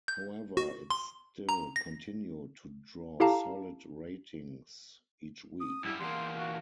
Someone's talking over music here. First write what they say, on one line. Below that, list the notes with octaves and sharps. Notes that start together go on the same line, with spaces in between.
However, it still continued to draw solid ratings each week.
G6
F#4
C6
A#5
A#6
E4 G4 A4 F5 A5 A#5
D#6
F#2 G3 E4
E2 A#3 C6
F#4